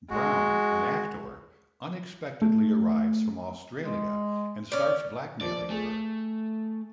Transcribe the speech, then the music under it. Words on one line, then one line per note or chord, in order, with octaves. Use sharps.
Brown, an actor, unexpectedly arrives from Australia and starts blackmailing her.
G#3 F#4
A3
G#3
C#4 D5
A#2 F3 D5
A3 G#4